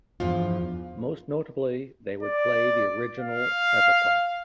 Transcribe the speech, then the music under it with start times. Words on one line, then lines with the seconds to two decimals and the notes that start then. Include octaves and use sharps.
Most notably, they would play the original EverQuest.
0.20 E2 G2 F3 F4
2.23 D5
3.20 F5